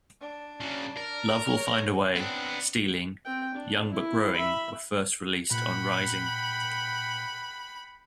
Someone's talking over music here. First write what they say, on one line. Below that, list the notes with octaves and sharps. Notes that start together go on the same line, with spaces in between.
"Love Will Find a Way", "Stealing", "Young But Growing" were first released on "Rising".
D4
C#3 F#3
A#4
C#5
B3 C4 D4
C4 G5
D4
E4
E5 B5
A#2 F#5 G5 B5